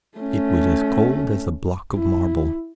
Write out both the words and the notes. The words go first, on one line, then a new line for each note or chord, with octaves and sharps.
It was as cold as a block of marble.
A3 C#4
E4